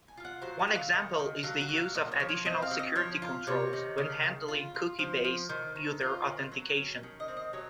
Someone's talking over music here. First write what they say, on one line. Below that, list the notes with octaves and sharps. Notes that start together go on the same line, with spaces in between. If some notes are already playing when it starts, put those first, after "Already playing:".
One example is the use of additional security controls when handling cookie-based user authentication.
G#5
F4 F5
F#5
F#3 C5
F#5
F#3
F5
D#3 D#5
D#3
F#3 F5
F#5
F#3
F5
A#2 D#5
C#5
F3
C#5
C4 D#5
F5
F#3
D#5
F3 C#5
F4
C3 C#5
D#3
C#3
C#3
F4
F4
F3 C5
F3
D#3 C5
D#3
F4 C5
D#3
F#3 C#5
C#4
D#3
D#5
C4
D#5
F#3 C#5